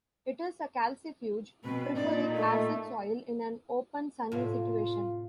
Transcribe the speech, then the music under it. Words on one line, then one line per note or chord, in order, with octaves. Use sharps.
It is a calcifuge, preferring acid soil in an open sunny situation.
B2 C4 B4
A#2 D4 D#4 D5
A3 A4
A2 C3 F4